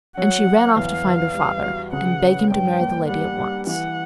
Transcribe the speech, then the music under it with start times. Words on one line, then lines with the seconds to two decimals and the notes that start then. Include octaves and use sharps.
And she ran off to find her father, and beg him to marry the lady at once.
0.17 F#3 F#5
0.47 F#3
0.76 E2 F5
1.05 E2
1.34 G3
1.63 F#4
1.92 C#3 F#5
2.21 C#4
2.50 G2 G5
2.80 A#3
3.08 G3 F#5
3.38 G3
3.67 E3 F#5